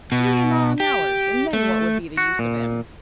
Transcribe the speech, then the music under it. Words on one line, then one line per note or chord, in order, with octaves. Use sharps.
Three long hours, and then what would be the use of him?
B2
G4
A3
F#4
A#2